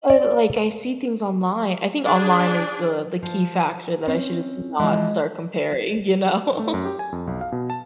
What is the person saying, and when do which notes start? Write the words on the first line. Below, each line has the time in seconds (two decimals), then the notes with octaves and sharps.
uh, like, I see things online I think online is the the key factor that I should just not start comparing, you know?
0.10 D5
2.02 D4 G#4
3.23 F3
4.07 C4 C#4
4.79 E3 F3 G#3
6.59 A3
6.74 F#2
6.85 G4
6.99 G#5
7.12 F2
7.27 B1
7.41 F5
7.52 B2
7.70 A5